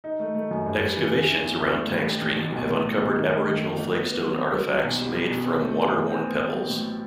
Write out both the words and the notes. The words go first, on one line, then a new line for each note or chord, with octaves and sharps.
Excavations around Tank Stream have uncovered aboriginal flake stone artifacts made from water-worn pebbles.
D#4
A3
A3
F#2
G2
G2
E3
E3
E4
E2
E4
A3
G2
A1
A1
A1
B1
A2
A2
B1
D#3
A3
D#3
A3
G1
B3
B3
F#3
C4
F#3
F#3
B1
G3
G3
B2
C4
A3
A3
E3
C4
B3
A1
F#3
A2